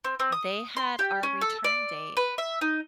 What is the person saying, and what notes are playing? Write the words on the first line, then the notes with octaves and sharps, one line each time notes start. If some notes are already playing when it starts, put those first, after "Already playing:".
they had our return date
C4
C4
D#6
C6
G4
C#4
A4
D5
B4
E5
D#4